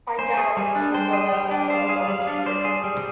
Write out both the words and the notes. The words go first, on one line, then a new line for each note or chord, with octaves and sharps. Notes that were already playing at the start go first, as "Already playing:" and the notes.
I doubt if he will go out in the boat while he is here.
C5 G#5
G#4
G3 G#5
D4
C5 G5
G#4
G3
D4
C5 F5
G#4
G3
D4
C5 D5
G#4
G3